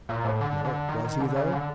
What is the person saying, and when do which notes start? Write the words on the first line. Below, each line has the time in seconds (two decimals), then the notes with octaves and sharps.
"No was he, though?"
0.09 A#2
0.25 A2
0.41 D3
0.65 D3
0.89 D#3
1.05 D#3
1.20 D3
1.36 C#3
1.52 D3